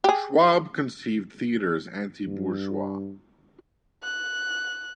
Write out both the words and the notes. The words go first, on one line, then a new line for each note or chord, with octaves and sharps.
Schwab conceived theater as anti-bourgeois.
G4 G#4
G2
F#6